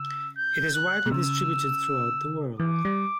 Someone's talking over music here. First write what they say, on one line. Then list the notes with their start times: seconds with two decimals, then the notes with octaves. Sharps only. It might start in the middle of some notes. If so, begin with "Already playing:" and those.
It is widely distributed throughout the world.
Already playing: C#3 E6
0.37 G6
0.74 F#6
1.06 B2
1.12 C#3 E6
2.60 E3 D6
2.85 G3